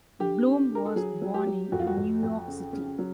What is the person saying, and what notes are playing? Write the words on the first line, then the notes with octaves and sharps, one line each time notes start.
Bloom was born in New York City.
D3 G4
D3
D3 A#4
A4
F#3 G#4
F#3
G4
F#3
F2 F#4
F4
F#4
F2
F2
C#3
C#3
F#3